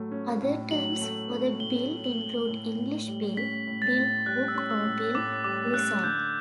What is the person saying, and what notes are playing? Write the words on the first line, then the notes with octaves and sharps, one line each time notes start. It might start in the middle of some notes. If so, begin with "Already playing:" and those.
Other terms for the bill include English bill, bill hook or bill-guisarme.
Already playing: A2 F#3 A3
C#4
A2
F#3 F#7
A3
C#4
A2 G7
F#3
F#7
A3
A2
A2
G3
C#4 B6
A2
A6
A2
G3 F#6
E6
C#4
E6
A2
A2 D6
G3 D6
C#4 F#6
D3 G6